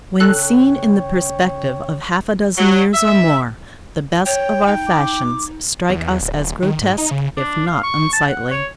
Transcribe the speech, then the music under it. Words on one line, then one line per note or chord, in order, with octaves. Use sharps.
When seen in the perspective of half-a-dozen years or more, the best of our fashions strike us as grotesque, if not unsightly.
C#3 A4 C#5 G5 F#6
F#3
E5
C#5 G5
D#4
D6
E2
D1
D#3
G#2
D#4
C#3
D4
F5
C#6
A5
F#5
C#5